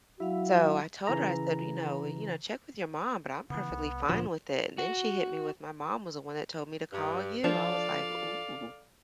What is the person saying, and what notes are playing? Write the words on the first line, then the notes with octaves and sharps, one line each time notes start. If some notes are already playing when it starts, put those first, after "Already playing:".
So I told her, I said, you know "You know, check with your mom, but I'm perfectly fine with it." And then she hit me with, "My mom was the one that told me to call you." I was like, "Ooh,
F#3 E4 F#4 F5
C#3 E3 A#5
C#3 E3 B3
C2
D2 A#2 F3 D4
F#4
G2
F3 D4 F4 A4 D5 F5